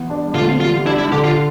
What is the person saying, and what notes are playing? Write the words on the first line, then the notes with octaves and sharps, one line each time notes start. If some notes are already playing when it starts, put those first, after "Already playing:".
Romayne went on.
Already playing: E3 B3
D4
D3 F4
G3 F4
D4 E4
E4
D3 G4
F4